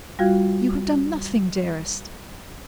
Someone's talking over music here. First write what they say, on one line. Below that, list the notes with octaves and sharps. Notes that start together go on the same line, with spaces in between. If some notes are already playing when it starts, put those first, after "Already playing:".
"You have done nothing, dearest."
G3 F4 F#4 F5 G#6